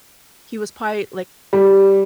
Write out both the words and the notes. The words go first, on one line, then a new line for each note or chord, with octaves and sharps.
he was pi like,
G3